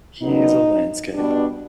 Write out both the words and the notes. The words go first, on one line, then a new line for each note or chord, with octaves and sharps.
Here's a landscape!
D#2 D3 F#3 B3 D#4
B2 G3 B3 D4